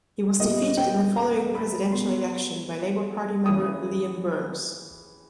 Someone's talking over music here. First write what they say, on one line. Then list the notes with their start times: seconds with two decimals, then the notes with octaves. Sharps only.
He was defeated in the following presidential election by Labour party member Liam Burns.
0.39 A#2 G3 B3 D#5
0.77 G5
1.16 A#5
1.55 B5
1.92 B2 G#3 B3 C6
3.46 C#3 E3 D#6